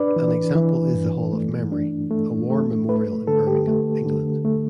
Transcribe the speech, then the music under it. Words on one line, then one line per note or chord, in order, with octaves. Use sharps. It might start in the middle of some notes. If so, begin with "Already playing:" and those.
An example is the Hall of Memory, a war memorial in Birmingham, England.
Already playing: D4 B4 D5
E3
E3
G2
A3
D4
A3
A3
A3 B4
D3 A4
G4
A3
D3
A3